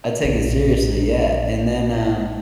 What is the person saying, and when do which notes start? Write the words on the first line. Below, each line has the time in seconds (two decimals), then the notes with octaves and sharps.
I take it seriously, yeah, and then, um
0.23 A#1 A2